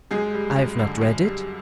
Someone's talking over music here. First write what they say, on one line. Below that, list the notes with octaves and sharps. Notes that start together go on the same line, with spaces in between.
"I've not read it."
F#2 G#3 G#4
G3
F#2
D3
F#2
G3